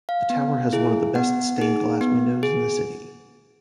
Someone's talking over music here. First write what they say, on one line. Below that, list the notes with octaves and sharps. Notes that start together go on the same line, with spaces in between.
The tower has one of the best stained glass windows in the city.
F5
B3
E4 G#4
B3 F#5
D#4 G#4
B3
G#4